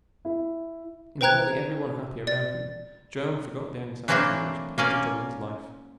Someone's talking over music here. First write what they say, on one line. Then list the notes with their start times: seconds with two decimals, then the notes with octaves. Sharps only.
In beholding every one happy around him, Joam forgot the anxieties which appeared to trouble his life.
0.25 E4
1.21 B4 C5 G5 A#5 F#6 G#6
2.27 D5 A6
4.08 E3 F#3 A3 A#3 C4 D4
4.78 A#3 C#4 D5